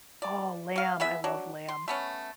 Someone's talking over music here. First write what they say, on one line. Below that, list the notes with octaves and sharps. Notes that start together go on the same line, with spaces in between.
Oh, lamb. I love lamb.
D5
F#3 F5
B3 E4 G#4 E5
F#3 D4
C6
A3 B3 C#4